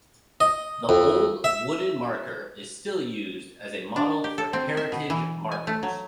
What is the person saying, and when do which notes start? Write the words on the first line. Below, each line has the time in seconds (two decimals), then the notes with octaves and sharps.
The old wooden marker is still used as a model for heritage markers.
0.41 D#5
0.89 F2
1.44 E5
3.96 D4
4.24 G4
4.38 A4
4.53 C4
4.77 E5
4.92 B2
5.10 E3
5.52 G#5
5.67 A3
5.83 F#3